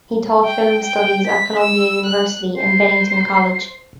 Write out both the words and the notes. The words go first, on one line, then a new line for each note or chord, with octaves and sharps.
He taught film studies at Columbia University and Bennington College.
G5
G5
B6
E6
F#6
C5